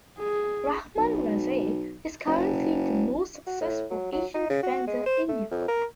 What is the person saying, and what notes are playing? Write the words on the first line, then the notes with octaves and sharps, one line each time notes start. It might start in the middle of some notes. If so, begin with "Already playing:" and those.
Rahman Rezaei is currently the most successful Asian defender in Europe.
G#4
B1
F#1
F#4
A2
F#3
F#3
D#4
C#3
F#4
G#3
C5
A3
F2
A#4